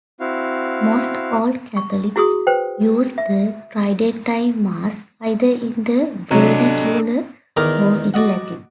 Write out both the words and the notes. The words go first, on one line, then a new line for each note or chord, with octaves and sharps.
Most Old Catholics use the Tridentine Mass, either in the vernacular or in Latin.
C4 E4 F#4 F5
C#6
E4 F#4 G#4 C6 D#6
B4 C5 G5
E5
C3 F#3 D4 A4 D#5
E2 D#3 D#4 A#4 A#5 D6
F#4 D5 D#5 F#5